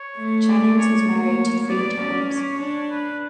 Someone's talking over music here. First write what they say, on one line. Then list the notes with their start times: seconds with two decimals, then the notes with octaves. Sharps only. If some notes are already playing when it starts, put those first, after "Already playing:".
Jannings was married three times.
Already playing: C#5
0.17 A3
0.48 D5
0.78 C#5
1.08 A#3 C#5
1.69 B3 D5
2.00 C#4
2.30 C#5
2.61 D4
2.91 B4